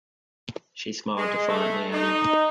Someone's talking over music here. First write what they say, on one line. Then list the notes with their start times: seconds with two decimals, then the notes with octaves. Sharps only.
She smiled defiantly at him.
1.16 G#3
1.49 A3
1.93 D#4